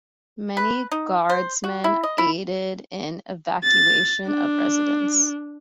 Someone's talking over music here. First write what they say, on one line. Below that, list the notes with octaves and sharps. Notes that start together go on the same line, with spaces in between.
Many guardsmen aided in evacuation of residents.
B4
D#4
C5
F#4
E4
D#5
E4
A6
D4